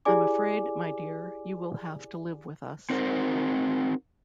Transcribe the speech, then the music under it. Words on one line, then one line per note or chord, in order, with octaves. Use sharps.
I'm afraid, my dear, you will have to live with us.
E4 G4 G#4 D5 G#5 D6
C4 D#4 F#4 A#4 C5